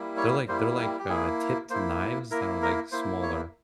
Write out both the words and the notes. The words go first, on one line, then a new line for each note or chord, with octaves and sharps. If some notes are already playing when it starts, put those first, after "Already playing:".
they're, like they're, like, uh, tipped knives that are, like, smaller.
Already playing: G3 A#3 E4
C#5
G3 A#3 E4 C5
G4
G4
A#3 E4 G#4
A#3 E4 C5
A#3 E4 A#4
A#4
A#3 E4 C5
C#5